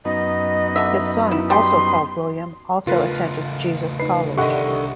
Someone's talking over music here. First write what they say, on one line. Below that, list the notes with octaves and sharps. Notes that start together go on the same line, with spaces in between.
His son, also called William, also attended Jesus College.
F#2 B3 D#4 D#5
D3 E5
E4
G3 C6
C#3 A3 F4 A#4 B4
D#4 B4 C7
C2 D3 D#3 G4 D#5 E5 F#5 C#6